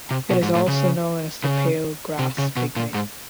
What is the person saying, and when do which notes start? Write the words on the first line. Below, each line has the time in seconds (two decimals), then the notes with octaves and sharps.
It is also known as the pale grass pygmy.
0.11 C3
0.30 B2
0.42 G#2
0.55 A2
0.68 C#3
1.44 C#3
2.19 C3
2.38 C#3
2.57 B2
2.76 A#2
2.94 G#2